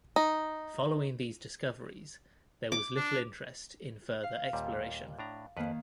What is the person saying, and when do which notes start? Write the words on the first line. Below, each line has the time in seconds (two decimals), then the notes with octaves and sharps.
Following these discoveries there was little interest in further exploration.
0.16 D#4
2.72 D6
2.96 D4
4.23 F5
4.53 D#2 A#2 G3
5.19 A2 D4 A#5
5.57 F2 D#3 A#3 B4